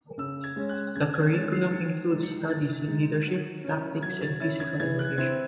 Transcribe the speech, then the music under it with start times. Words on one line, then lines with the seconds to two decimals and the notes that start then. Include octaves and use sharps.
The curriculum includes studies in leadership, tactics and physical education.
0.18 C#3 E6
0.44 G#6
0.56 G#3 C#4
0.69 F#6
0.95 C#3 G#6
1.14 G#6
1.33 G#3 C#4 A6
1.53 C7
1.72 D#3 C#7
2.10 G#3 D#4
2.23 C#7
2.48 D#3 A6
2.87 G#3 D#4
3.26 F#3
3.64 C#4 E4
4.03 F#3 G#6
4.22 A6
4.40 C#4 E4 A6
4.60 G#6
4.79 E3 G#6
4.99 F#6
5.18 C4 E4 G#6